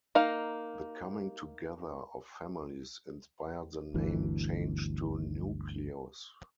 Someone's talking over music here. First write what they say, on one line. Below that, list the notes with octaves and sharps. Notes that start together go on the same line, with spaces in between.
The coming together of families inspired the name change to Newcleus.
A#3 D#4 F5
G1 D2 E3